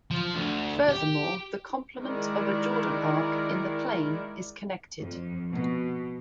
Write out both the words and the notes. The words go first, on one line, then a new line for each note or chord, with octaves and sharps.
Furthermore, the complement of a Jordan arc in the plane is connected.
F3
D2
G4
D#3 G#3 E4 A#4 D5
F2
B2